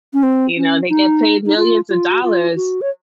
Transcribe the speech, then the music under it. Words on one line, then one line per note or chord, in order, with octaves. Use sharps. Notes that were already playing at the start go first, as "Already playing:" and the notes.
you know, they get paid millions of dollars
C#4
C4
C#4
D#4
D#4
F4
F4
F#4
F4
F#4
C#5